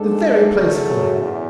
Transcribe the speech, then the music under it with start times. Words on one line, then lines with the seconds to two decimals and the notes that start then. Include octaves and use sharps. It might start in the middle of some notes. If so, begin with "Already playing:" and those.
The very place for him.
Already playing: G#2 G#3 D4 A4
0.53 F#2 C#3 F#3 A3
1.20 E2